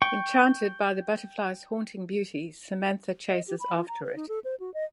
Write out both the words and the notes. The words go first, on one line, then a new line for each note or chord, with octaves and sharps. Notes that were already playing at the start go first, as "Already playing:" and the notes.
Enchanted by the butterfly's haunting beauty, Samantha chases after it.
G5 C#6
D#5
G4
B5
F4
A#5
B4
D#4
A4
C5
F#4
D#5